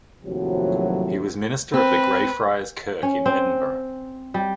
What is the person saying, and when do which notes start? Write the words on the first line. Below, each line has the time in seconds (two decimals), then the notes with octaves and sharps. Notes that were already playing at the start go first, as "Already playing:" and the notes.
He was minister of the Greyfriars Kirk in Edinburgh.
0.24 D#2 A2 C3 F3 F#3
1.74 C4 B4
3.03 C#4
3.26 C4
4.34 G3